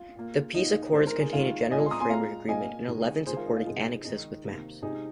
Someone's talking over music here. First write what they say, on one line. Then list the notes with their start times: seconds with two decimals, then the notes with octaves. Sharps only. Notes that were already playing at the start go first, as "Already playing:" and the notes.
The peace accords contained a General Framework Agreement and eleven supporting annexes with maps.
Already playing: F4
0.15 A#2 A#3
0.54 A#2 F3 A#3 D#4
0.93 A#2 G#3 C5
1.07 A#4
1.20 G#4
1.33 D#3 G#3 F4
1.71 A#2 G#3 D#5 G#5
1.86 C6
1.91 A#5 D#6
2.00 G#5 C6
2.10 A#2 G#3 F5 A#5
2.48 A#2 A#3 D#5 G#5
2.87 C3 D#3 G#3
3.26 D#3 G#3 G#4 C5
3.37 F4 A#4
3.46 D#4 G#4
3.57 F4
3.66 C3 F3 G#3 D#4
4.04 D#3 G#3 D#4
4.44 C3 D#3 A#3
4.82 C3 G#3 D#4 G#4